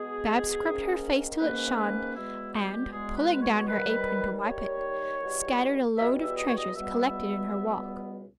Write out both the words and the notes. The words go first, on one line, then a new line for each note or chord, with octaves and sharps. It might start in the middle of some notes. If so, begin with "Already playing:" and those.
Bab scrubbed her face till it shone; and, pulling down her apron to wipe it, scattered a load of treasures collected in her walk.
Already playing: B2 G#3 B3 G#4
G#2 D#3 A#3 C#4
G#2 D#3 A#3 C#4 B4
B4
E2 B2 G#3 B3 E4
G4
E2 B2 G#3 B3 G#4
B4
C#5
C#5
D#2 D#3 G3 B4
D#2 D#3 G3 C#5
E2 B2 G3
E2 B2 G3 E5
E5
D#5
C#5
D#5
C#2 B2 G3 B3 E5
C#2 B2 G3 B3